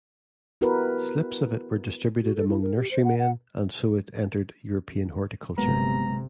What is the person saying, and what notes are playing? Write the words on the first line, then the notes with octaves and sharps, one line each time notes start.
Slips of it were distributed among nurserymen and so it entered European horticulture.
B3 E4 F#4 G4 A#4 B4
F#4
A4
E4
A#4
G4
C5
F#5
F#5
G1 C3 F#3 G#3 A#3 B3 A#5